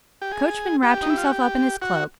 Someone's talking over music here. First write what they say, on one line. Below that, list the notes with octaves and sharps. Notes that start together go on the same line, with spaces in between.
The coachman wrapped himself up in his cloak.
G4
G#4
G4
D#4
E4
F4
F#4
G4
F#4